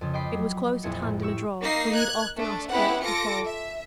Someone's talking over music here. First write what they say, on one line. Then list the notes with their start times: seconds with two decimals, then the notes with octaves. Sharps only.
It was close at hand in a drawer, for he had often asked for it before.
0.01 F2 C#3
0.13 D#5 G5 B5 D6 C7
0.33 F#3
0.83 A#1 F2 E4 G#4 C#7
1.02 A2
1.22 G4 C#6 E6
1.63 A#3 D#4 A#6 C7
1.95 F#6 G#6
2.38 A3 D4
2.70 B3 C#4 E4 G4 B4 F#5
3.04 F4 A4 D6 A#6 C#7 D7
3.46 E5